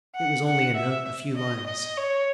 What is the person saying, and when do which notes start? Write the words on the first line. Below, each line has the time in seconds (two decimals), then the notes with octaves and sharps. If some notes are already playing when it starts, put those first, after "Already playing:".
It was only a note, a few lines.
0.16 F#5
0.46 F#5
0.77 E5
1.36 D#5
1.67 D#5
1.97 C#5